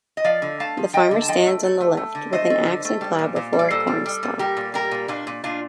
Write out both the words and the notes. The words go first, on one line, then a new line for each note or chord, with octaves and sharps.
The farmer stands on the left with an ax and plow before a cornstalk.
D#5
F3 D5 F5
D3
A3 F5 A5
F3
F3 D#5 G5
D3
A5
F3 D#5 G5
A3
A3
A3
A3
D3
A3 C5 D#5
A3
D3
A3
G3
A#2
A#2
G3
D5
A#2 A4 C5
G3
G3
A#2
G3 G4 A#4
A#2
G3 G4 A#4
A#2
A#2 A#3 D4
A#2
A#2 D4 F4